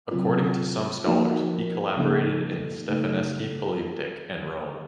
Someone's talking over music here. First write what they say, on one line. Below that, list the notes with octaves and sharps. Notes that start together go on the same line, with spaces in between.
According to some scholars, he collaborated in the Stefaneschi Polyptych in Rome.
C3 F#3 C4 F4
F3 A#3 D#4 F#4 A#4
C#3 F3 A#3 D#4 A4
C#3 A3 D#4 A4